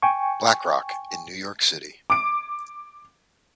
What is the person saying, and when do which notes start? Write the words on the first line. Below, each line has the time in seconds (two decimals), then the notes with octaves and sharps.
"Black Rock," in New York City.
0.02 G5 G#5 C#6
2.10 D6 D7